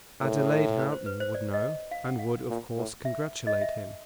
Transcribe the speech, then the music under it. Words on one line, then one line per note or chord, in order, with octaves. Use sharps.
Adelaide Houghton would know, and would, of course, congratulate him.
A2 A#4
B4
C5
B4
C5
D5
D#5
F5
F#5
F5
A#2
A2
E5
D#5
E5